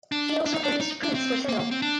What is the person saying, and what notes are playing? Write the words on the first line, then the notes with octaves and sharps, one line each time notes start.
He also produced prints for sale.
D4
D4
D#4
D4
D#4
D4
C4
A#3
A#3
C4
D4